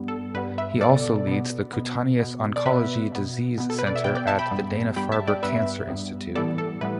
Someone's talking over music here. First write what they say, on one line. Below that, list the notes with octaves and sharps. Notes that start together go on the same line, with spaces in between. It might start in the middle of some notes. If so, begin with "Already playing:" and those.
He also leads the Cutaneous Oncology Disease Center at the Dana Farber Cancer Institute.
Already playing: G2 G3 B3
A4
G2 G3 B3 B4
B4 E5
B2 B3 A4 D5
B2 B3
B2 B3
B2 B3
D5
B2 B3 B4 E5
B2 B3
B2 B3
A4
B4
D5
E5
B2 B3 D5 G5
D5 G5
E5 A5
G5 B5
G2 G3 B3
G2 G3 B3 G5 B5
E5 A5
D5 G5
G2 G3 B3 B4 E5
G2 G3 B3
A2 E3 G3 B3 A4 D5
A4
A2 E3 G3 B3 B4